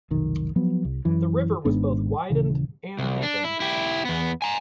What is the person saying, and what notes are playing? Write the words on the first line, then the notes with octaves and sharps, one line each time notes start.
The river was both widened and deepened.
F1 B1 D#3
F3 F#3 B3
C2
F#2 E3
G#1 G#2 B3 D4
D#1 C#3 E3
C2
D4
E4
E4 G4
E2 B3
G#5 A#5